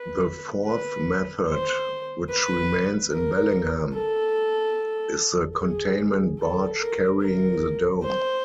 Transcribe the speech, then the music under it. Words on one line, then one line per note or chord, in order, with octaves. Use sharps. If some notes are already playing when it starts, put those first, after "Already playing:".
The fourth method, which remains in Bellingham, is the containment barge carrying the dome.
Already playing: B4
B4
C5
B4
A#4
A4
G#4
A4
A#4
A#4
C5